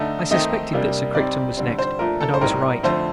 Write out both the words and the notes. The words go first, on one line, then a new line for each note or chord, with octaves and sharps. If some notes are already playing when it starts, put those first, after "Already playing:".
I suspected that Sir Crichton was next, and I was right.
Already playing: D3 A3 D#4
D#3 A3 C4 D#4 D#5
C3 G3 A#3 D4
C3 G3 C4 D#4 D5
D3 G3 C4
C5
A#2 F3 A3 D4 A#4
A4
C5
A2 G3 C4 D#4 A#4
F2 D3 A3 C5